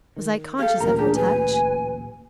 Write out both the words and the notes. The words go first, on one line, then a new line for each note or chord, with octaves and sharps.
Was I conscious of her touch?
D#3
G4 A4 F5
D1 A1 A#2 A#4 A#5
D4 G4 G#4
B4 G#5